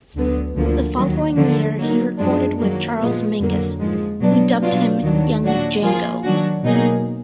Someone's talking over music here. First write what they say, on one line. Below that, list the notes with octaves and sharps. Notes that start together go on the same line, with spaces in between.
The following year he recorded with Charles Mingus, who dubbed him "Young Django".
D2 D3 F#3 B3
D2 D3 F3 A#3
D#2 D#3 F#3
D3 F3 A#3
F#3 A#3 D#4
F#2 F3 G#3 D4
D#3 F#3 A#3
A#2 F3 G#3 B3
F2 D3 F#3 A#3
G#2 F3 G#3
B2 F#3 B3 D4
B2 F#3 B3 D4 F4
D#2 D#3 F#3 D4
A#2 F#3 D4 F#4
F3 A#3 F4 G#4
D#3 F#3 D4 F#4
B2 F#3 A#3 D#4 G#4